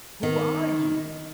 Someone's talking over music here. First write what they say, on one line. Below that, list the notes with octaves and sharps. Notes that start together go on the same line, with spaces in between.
"Who are you?"
D#3